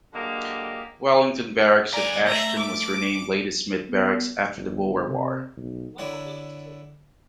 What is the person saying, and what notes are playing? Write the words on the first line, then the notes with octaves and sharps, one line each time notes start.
Wellington Barracks at Ashton was renamed Ladysmith Barracks after the Boer War.
D3 F#3 G#3 A#3 G4 D#5
G3 D5 G#5 A#5
A3 E5 A#5
D6
B3
G1
C3
B1
D3 E4 C#5 D5 F#5